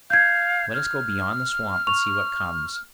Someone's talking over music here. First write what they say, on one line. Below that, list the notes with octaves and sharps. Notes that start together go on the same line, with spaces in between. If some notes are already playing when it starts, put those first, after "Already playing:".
Let us go beyond the swamp and see what comes.
F5 G6 G#6
F6
C#6 F7